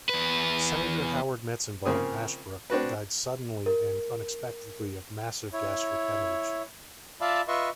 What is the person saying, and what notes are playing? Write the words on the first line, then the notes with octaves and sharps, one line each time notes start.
Senator Howard Metzenbaum, Ashbrook died suddenly and unexpectedly of a massive gastric hemorrhage.
E2 B4
C#3 F3 A#3 C4 G#4 D#6
C4 D4 F#4 B4
A#4
E4 C#5
F4 D5 E5 F5 A5 B5
F4 B4 D#5 E5 C6 C#6